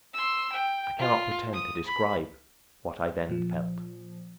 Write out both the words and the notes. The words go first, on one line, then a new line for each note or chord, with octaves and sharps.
I cannot pretend to describe what I then felt.
C6 E6
G5
F4
D#6
B5
A#2 F3